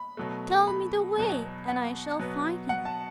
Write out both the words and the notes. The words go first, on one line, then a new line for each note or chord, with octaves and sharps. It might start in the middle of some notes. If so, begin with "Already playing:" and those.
"Tell me the way, and I shall find him!"
Already playing: B5
B2 F#3 A3
B5
E2 B2 F#3
F#5
B2 F#3 B3
F#5
A5